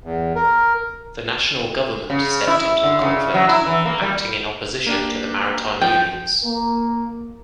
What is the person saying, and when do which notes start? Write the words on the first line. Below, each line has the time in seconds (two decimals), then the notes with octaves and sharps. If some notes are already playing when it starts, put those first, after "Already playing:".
The National government stepped into the conflict, acting in opposition to the maritime unions.
0.04 E2
0.35 A#4
2.10 C#3
2.47 E4
2.83 D3
3.01 C#3
3.34 F#3
3.49 E4
3.66 E3
3.86 A#3
4.02 G3
4.87 A#3 D4 G4
5.81 F3 G5
6.44 A#3